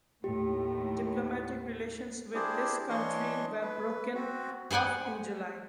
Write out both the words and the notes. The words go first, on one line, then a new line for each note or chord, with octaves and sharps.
Diplomatic relations with this country were broken off in July.
D#2 A2 G4
D4 E4 G4 G#4 C5 D5
E3 D4 C#5 D#5 C6 C#6
B4
C4 F#4
G#4 C5 D5 F#5 G#5